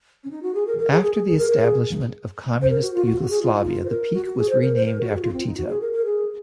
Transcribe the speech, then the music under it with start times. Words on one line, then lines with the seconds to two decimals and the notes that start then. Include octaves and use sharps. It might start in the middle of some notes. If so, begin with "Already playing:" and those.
After the establishment of Communist Yugoslavia the peak was renamed after Tito.
0.24 C#4
0.31 D#4
0.43 F#4
0.55 G#4
0.67 A#4
0.79 A#4
0.91 G#4
1.02 G#4
1.14 G#4
1.27 G#4
1.38 A#4
1.51 A#4
1.62 G#4
2.62 C5
2.70 A#4
2.82 F#4
2.94 F4
3.05 F#4
3.20 F#4
3.30 G#4
3.42 F4
3.54 D#4
3.66 F4
3.85 C5
3.89 A#4
4.14 F#4
4.26 F#4
4.38 G#4
4.50 C5
4.61 A#4
4.76 C5
4.85 A#4
5.01 F#4
5.10 G#4
5.15 F#4
5.21 F4
5.33 C4
5.46 D#4
5.57 F#4
5.69 G#4
5.81 A#4
5.93 A#4
6.05 G#4